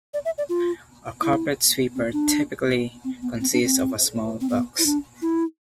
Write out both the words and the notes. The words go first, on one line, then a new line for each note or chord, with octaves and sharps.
A carpet sweeper typically consists of a small box.
D5
E5
D5
F4
E4
C4
D4
C4
B3
C4
D4
C4
C4
B3
E4
D4
E4